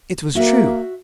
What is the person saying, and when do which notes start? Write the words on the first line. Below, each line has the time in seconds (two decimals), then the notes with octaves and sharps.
It was true.
0.35 A#3 F#4 E5